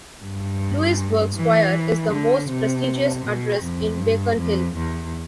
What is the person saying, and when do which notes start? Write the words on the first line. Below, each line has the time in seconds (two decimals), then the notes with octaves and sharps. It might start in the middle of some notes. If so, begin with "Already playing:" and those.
Louisburg Square is "the most prestigious address" in Beacon Hill.
0.23 G2
1.36 E3
2.11 D3
2.49 C3
3.24 B2
3.62 F2
4.00 G2
4.38 F2
4.75 E2